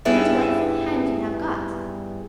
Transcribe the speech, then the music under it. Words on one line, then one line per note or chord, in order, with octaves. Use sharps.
What a delightful hand you have got!
G2 G3 B3 E4 G#4 E5